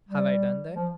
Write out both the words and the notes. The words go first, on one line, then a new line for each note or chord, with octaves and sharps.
Have I done that?
G3
F3